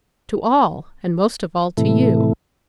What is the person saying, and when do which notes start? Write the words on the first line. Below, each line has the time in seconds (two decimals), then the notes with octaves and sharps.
"To all, and most of all to you."
1.77 A2 C3 E3 A3